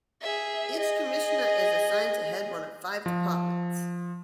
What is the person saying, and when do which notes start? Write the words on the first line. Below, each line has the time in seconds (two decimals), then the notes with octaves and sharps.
Each Commissioner is assigned to head one of five departments.
0.22 G#4 E5
0.78 G#4 D#5
3.06 F3